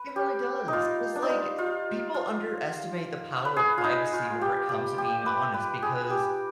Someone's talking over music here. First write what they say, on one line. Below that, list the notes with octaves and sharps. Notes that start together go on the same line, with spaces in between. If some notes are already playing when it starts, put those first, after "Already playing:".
It really does, 'cause, like, people underestimate the power of privacy whenever it comes to being honest because
Already playing: B4
G4
D#4
F4
D4
D#4
F4
F4
F4
B4
G#4
F4
D#4
F4
G4
G4
G4
B4
B4
G#4
G4